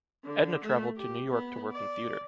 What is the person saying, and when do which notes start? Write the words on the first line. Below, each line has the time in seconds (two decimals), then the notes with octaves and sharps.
Edna traveled to New York to work in theater.
0.25 D3
0.63 A3
0.96 G4
1.29 B3
1.72 D5